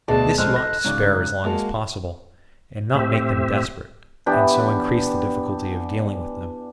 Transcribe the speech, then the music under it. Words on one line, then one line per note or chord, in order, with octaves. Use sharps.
This you ought to spare as long as possible, and not make them desperate, and so increase the difficulty of dealing with them.
D2 B2 G#3 D5 A5
A#1 G#3 D#4 A4 C5 F6 F#6
A#6
G#2 C#3 F#3 D5
G#3 A#3 F#4 F5 A5
A2 C4 G4 E5
E3 B3 D4 G4